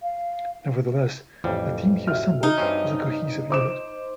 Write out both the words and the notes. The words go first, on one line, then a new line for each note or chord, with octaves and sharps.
Nevertheless, the team he assembled was a cohesive unit.
F5
A1 F2 G3
F#4 E5 F6
D#4
G2 C4 C#4
C5 D6 E7